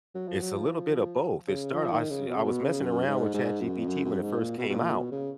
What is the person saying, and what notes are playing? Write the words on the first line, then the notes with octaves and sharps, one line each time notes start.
It's a little bit of both. It start I see I was messing around with ChatGPT when it first came out,
F#3
F3
F#3
F3
C#3
F3
D#3
C#3
B2
C#3
B2
C#3
F#2
G#2
G#2
F#2
F2
F#2
F#2
G#2
A#2
B2
B2
A#2
B2
C#3